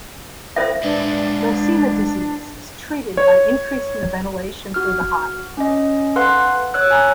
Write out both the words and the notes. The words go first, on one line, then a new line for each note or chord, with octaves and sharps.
Nosema disease is treated by increasing the ventilation through the hive.
C5 E5
G#3 D4 B4 D5
C#5
F#4 F6
C#4 D#5
A4 B4 F5 F#5 C6 F#6
C#5 E6 F#6
G#5 A#5